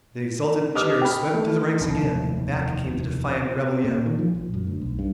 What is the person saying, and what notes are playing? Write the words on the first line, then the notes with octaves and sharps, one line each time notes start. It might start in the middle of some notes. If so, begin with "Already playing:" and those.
The exultant cheer swept through the ranks again, and back came the defiant rebel yell.
G4 B4 D#5 D6 D#6 F6
G5 B5
A3
F1 D#2 B2 E3
A#2
D#3
F3
A#1
F#2
D2
B1
G2